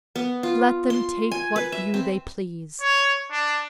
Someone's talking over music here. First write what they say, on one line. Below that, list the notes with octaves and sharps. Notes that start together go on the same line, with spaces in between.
Let them take what view they please.
B3
F4
C6
G#5
B4
E5
C4
C#5
D4